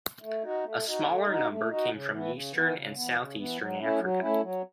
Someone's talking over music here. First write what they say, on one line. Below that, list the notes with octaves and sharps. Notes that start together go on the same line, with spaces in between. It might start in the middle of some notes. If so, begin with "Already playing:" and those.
A smaller number came from eastern and southeastern Africa.
A3
D#4 F#4
A3
D#4 F#4
A3
D#4 F#4
A3
D#4 F#4
C#3
E3 B3
C#3
E3 B3
C#3
E3 B3
C#3
E3 B3
F#3
A3 C#4 E4
F#3
A3 C#4 E4
F#3